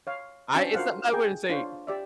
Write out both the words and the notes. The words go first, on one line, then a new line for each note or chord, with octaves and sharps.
I It's not I wouldn't say
C#5 F5
C#4 D4 F#4 E5 G5 A5
F4 F#4 A#4 C5 F5 F#5
G#4 G5
D4 F4 C5 C#5
G4 D5 E5